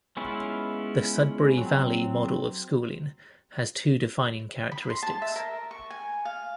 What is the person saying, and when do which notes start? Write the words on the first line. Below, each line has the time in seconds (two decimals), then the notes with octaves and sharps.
The Sudbury Valley model of schooling has two defining characteristics.
0.17 G#3 B3 C#4 E4 F4
1.58 F#3 C4
4.72 B5
4.90 C6
5.03 A5
5.22 E5
5.36 A#4
5.71 C#6
5.90 G#5
6.25 F5